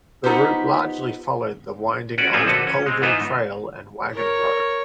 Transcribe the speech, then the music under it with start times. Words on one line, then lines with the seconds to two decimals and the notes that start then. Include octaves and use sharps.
The route largely followed the winding old Colville trail and wagon road.
0.24 B3 D#4 F4 G4 C5
2.18 C#4 F#4 B4 D5
2.33 A#2 F3 C4 C#4 F4 E5
2.46 A#1 D3 F#4 A4 B4
2.67 C#4
2.86 G#3 C4
3.02 G#2 E3 B3 D#4 F4 C5
4.12 A#4 C#5